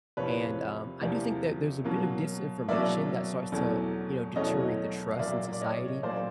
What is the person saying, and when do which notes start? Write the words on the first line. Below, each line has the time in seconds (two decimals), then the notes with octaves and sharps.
and, um, I do think that there's a bit of disinformation that starts to, you know, deteriorate the trust in society
0.17 E2 C3 F3 A#3 B4 C#5
1.01 E2 C3 F3 A#3
1.85 B2 F#3 A#3
2.68 B2 F#3 A#3 D5 E5
3.52 E2 B2 F#3 A3
4.36 E2 B2 F#3 A3 C#5 D#5
5.13 F5
5.19 A#2 F#3 A#3 D5 E5
5.53 D5
5.62 C#5 D#5
6.03 A#2 F#3 A#3 C5 D5